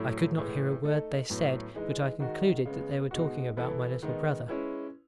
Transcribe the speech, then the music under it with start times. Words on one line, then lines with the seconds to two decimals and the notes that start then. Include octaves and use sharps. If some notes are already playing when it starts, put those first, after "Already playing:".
I could not hear a word they said, but I concluded that they were talking about my little brother.
Already playing: A2 F#3 A3 E4
0.38 A2 E3 G#3
0.83 A3 D#4 A4
1.29 A2 F#3 B3
1.74 E3 G#3 D#4
2.20 D#3 G#3 D#4 F#4
2.65 C#3 G#3 B3
3.11 B2 G#3 D#4 F#4
3.57 E3 B3 E4 A4
4.03 D#3 G#3 B3 D#4
4.48 G#3 C#4 E4 B4